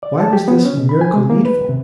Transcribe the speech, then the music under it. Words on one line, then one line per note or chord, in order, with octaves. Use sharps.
Why was this miracle needful?
D5
A5
G4
B3
C#4
B2
B5
G#5
G#3
A#3
B4
C3